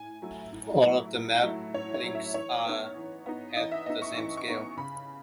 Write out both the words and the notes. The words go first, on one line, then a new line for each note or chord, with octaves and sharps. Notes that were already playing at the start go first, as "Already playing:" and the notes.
All of the map links are at the same scale.
Already playing: A2 G#5
F#3 A3 E4
A2
F#3 A3 E4
A2
F#3 A3 E4
A2 C#5
C#5
F#3 A3 E4
E5
E3 C#5
B3 D#4
E3
B3 D#4
E3 D#5
E5
B3 D#4 D#5
C#6
E3 C#6
C#6
B3 D#4
C#6
C#3 B5